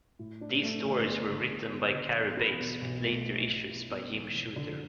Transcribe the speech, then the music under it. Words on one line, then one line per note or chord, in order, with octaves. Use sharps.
These stories were written by Cary Bates with later issues by Jim Shooter.
A2
D4
A3
G1
B3
D3
G1
B3
D3
E1
B3
B2
B1
A3
E3
B1
E4
B3
E1
E1
D3